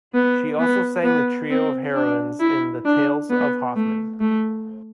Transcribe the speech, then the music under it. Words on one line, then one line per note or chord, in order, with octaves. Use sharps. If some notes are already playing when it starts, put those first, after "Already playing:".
She also sang the trio of heroines in "The Tales of Hoffmann".
B3
B3
B3
C4
D4
E4
D4
B3
A3
A3